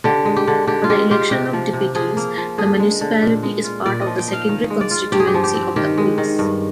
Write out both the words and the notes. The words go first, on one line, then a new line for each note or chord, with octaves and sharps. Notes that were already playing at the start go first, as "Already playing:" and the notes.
For the election of deputies, the municipality is part of the second constituency of the Oise.
D3 G4
G#3
G4
D3
D3 G4
F4
G#3 G4
F4 G4
C3 G4
F3
C3
F3 G#4
A#3
F3
D3 G#4
G#3
D3
A#2
G#3
F4
A#2 D5
D#5
F3
G5
D#4 F5
D#3
G#3
D5
F4
G2 G4
G#4
G4
F3
G4
C4
D#3 G4
G#3
D#3
G2